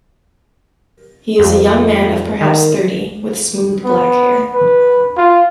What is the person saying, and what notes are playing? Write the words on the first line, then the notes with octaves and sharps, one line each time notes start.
He is a young man of perhaps thirty, with smooth, black hair.
F2
D#3
B3
B4
F4